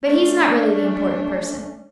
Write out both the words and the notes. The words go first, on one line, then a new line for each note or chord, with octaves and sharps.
But he's not really the important person.
A3 C#4 D4